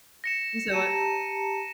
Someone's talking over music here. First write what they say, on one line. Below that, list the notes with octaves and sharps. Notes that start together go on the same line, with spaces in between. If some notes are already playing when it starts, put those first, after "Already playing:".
You say what?
A#6 C#7 E7
G4 A5 A#5 D#7 E7